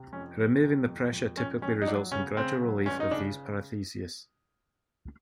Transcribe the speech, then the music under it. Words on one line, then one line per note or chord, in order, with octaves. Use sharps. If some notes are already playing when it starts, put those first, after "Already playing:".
Removing the pressure typically results in gradual relief of these paresthesias.
Already playing: C3
F2 C#4
F2
C3
F2
F2
F2 C#4
F2 C#4
D#4
F#3 D4
C#3 C#4
C#3 C4
F#3
G1 C#4
D#4
C#3 D4